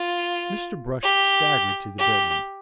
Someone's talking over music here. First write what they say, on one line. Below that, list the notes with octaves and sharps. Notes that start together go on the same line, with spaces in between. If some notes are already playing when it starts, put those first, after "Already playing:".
Mr. Brush staggered to the bedroom.
Already playing: F4
G4
G4